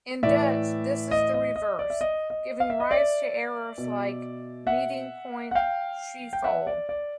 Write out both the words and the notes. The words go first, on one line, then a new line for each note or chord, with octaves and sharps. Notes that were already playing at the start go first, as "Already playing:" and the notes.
In Dutch this is the reverse, giving rise to errors like "Meeting Point Schiphol".
A2 E3 D5 E5
D#5
D#5
D#5
D5
E5
D#5
D#5
F5
E5
D#5
D5 E5
B2
E5 F#5
F#5
F5 G5
G5
E5 F#5
D5
D5